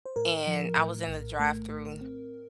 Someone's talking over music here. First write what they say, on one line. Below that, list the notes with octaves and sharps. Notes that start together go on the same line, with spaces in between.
and I was in the drive-through,
C5
A2 A#4
F3
A2
A#1
A3
A2
C4